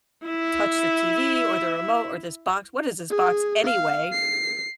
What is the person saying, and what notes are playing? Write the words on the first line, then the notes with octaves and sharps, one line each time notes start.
touch the TV or the remote or this box? What is this box anyway?"
E4 E5
G#4
F5
C7